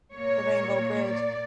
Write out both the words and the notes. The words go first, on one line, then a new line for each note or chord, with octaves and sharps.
the Rainbow Bridge.
A#2 A#3 C#5
D5